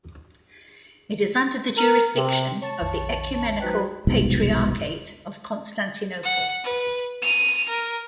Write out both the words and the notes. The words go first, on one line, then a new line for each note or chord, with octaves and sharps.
It is under the jurisdiction of the Ecumenical Patriarchate of Constantinople.
A#4
C3
C#5 A5
A#1 F2 D#3
F#3 D#4 F#4 B4 C5 G5
F1 C2 G#2 B2
F#5
B4
D#7 F7
A#4